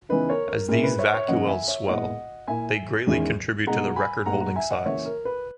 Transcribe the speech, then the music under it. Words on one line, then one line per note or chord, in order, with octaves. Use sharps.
As these vacuoles swell, they greatly contribute to the record-holding size.
C#3 E3 B3 D#4 B4
A#4 C#5
A#4
A#2 G#3 C#4 E4 A#4
B4
C#5 E5
C#5 E5
F#2 C#3 E3 A#3 C#4 D#5 F#5
E5 G#5
C#5 E5
A#2 G#3 B3 E4 D#5 F#5
A#2 A#3 E4 E5 G#5
E2 D#3 G#3 C#4 E4
B2 G#3 D#4 F#5 A#5
G#5 B5
A#2 G#3 B3 D#4 F#5 A#5
F#5 A#5
E5 G#5
D#5 F#5
C#3 E3 A#3 C#5 E5
A#4
B4